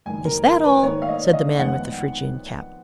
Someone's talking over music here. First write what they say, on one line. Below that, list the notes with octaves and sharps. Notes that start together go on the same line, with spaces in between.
"Is that all?" said the man with the phrygian cap.
F#1 F#2 D#3 G#3 G#5
A#4
A#4
B4
G#2 D#3 A#3 D#4 C#5
F5
D#5
D#5
F2 D#3 G#3 B3 F#5